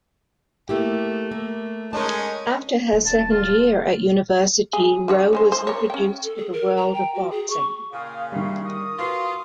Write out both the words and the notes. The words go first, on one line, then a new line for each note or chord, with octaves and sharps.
After her second year at university, Ro was introduced to the world of boxing.
A3 A#3 E4 G4
A#3
G#3 C#4 D#4 A#4 A5
D#1
D#1 A5
F4
G#4
D4 F#4 C#5
D#3 G#3 C5
C5
A#4 C#5
C#4 G5
A4
G#4
A#4
A#5
G5
F#4
G#4
C#6
A#2 C#3 F5 G5 G#5 D#6
D#3 G3 D#4 E5 F5 C#6
A#4 D#6
F4 F#4 B4